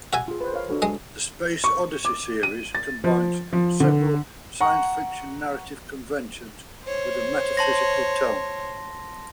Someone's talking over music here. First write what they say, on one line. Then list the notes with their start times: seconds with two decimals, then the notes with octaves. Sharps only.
The "Space Odyssey" series combines several science-fiction narrative conventions with a metaphysical tone.
0.13 F#4 E5 G#5
0.28 F4 G#4
0.41 B4 C5
0.52 A#4 C#5 F5
0.70 D4 F#4 A4
0.82 G#3 D#5
1.64 C#6
2.05 D6
2.43 D#7
2.75 A6
3.04 F3
3.53 F3
3.80 D3
4.60 F#5 A#5 C#6
6.84 C5 C#5
7.57 A5 C6 A#6